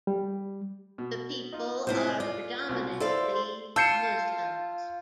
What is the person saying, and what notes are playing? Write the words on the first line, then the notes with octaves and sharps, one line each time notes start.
The people are predominantly Muslims.
G3
B2
D#4 F4
A2 C3 E4 F4 C5
F4 D5
C2 B2
E4 A4 C5 D5 F5
F4 A5 E6 G6 C7 C#7 E7